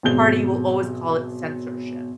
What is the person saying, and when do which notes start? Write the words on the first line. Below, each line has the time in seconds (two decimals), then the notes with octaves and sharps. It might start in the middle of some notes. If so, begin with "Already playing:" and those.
party will always call it censorship
0.03 G#1 B2 F#3 G#4 G6 G7